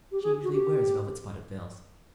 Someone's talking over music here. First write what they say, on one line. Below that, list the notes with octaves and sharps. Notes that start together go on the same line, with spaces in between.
She usually wears velvet-spotted veils.
G4
G#4
F#4
G4